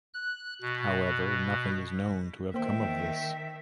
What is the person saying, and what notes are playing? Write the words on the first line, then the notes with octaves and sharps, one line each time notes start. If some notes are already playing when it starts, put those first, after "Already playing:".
However, nothing is known to have come of this.
F#6
B2
D#3 A#3 C5 E5 G5